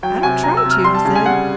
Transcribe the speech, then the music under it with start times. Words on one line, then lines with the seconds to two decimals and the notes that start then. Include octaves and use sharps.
"I don't try to," he said.
0.03 F#3 G5
0.23 C3 G#5
0.43 C3 A#5
0.57 E6
0.64 C3
0.71 F6
0.84 G3 C6
0.95 A5
1.05 C#3 A5
1.15 G#5
1.26 G3 F#5